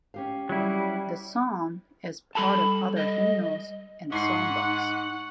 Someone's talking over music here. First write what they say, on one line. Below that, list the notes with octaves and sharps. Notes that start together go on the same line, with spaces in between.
The song is part of other hymnals and songbooks.
C#4 G4 F5
F#3 G3 E4
G3 A4 A5 B5
D#5
G#2 D#4 F#5 C#6 F#6 C7